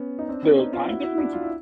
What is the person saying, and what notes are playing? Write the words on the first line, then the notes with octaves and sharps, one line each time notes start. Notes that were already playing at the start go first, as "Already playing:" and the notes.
The time difference?
Already playing: B3 C#4
D#4
C4 D4
B3 C#4
C#4 D#4
D#4 F4
E4 F#4
E4 F#4
D4 E4
F4
E4